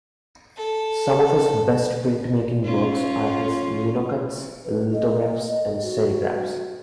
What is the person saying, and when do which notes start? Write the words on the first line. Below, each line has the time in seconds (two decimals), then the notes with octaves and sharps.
Some of his best printmaking works are his linocuts, lithographs and serigraphs.
0.56 A4
2.64 C#4 F4
4.65 B4
4.93 D#5
5.83 F#4